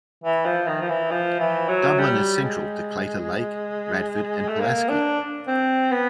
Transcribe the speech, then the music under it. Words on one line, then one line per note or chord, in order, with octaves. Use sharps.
Dublin is central to Claytor Lake, Radford, and Pulaski.
E3
F3
D#3
F3
E3
F3
E3
F#3
G3
G#3
A3
A#3
D4
C4
B3